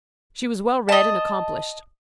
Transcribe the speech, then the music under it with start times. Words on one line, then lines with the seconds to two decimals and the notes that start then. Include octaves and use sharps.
She was well read and accomplished.
0.89 D#5 A5